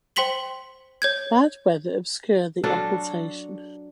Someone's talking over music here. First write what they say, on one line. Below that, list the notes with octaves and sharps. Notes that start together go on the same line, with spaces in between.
Bad weather obscured the occultation.
C5 G5 C6 B6 F#7 G7
C#5 G6 G#6
F#3 D4 A4 F5